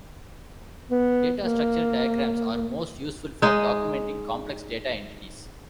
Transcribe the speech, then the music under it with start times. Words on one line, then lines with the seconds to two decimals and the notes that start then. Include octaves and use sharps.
Data structure diagrams are most useful for documenting complex data entities.
0.91 B3
1.42 A#3
3.42 G#3 D#4